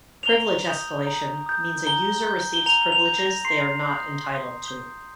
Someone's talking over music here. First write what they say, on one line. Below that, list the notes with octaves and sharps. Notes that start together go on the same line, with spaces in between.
Privilege escalation means a user receives privileges they are not entitled to.
F7
A#5 G7
D#6 G6
A#5
D#6 G6
A#5 G7
G6
G7
A#5 F7
F7
G6
A#6
C6 C7
D#6 G6
C6
D#6 G6